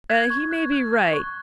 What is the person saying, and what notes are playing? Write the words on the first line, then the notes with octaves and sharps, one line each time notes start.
He may be right.
F#6 G#6
C#6
F#6
F#6
F#6
C#6